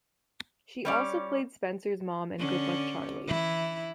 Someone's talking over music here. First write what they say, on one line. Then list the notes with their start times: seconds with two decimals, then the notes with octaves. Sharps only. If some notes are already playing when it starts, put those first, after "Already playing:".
She also played Spencer's mom in "Good Luck Charlie".
0.85 G3 C#4 D5
2.39 D3 C#4 D4
3.27 E3 E4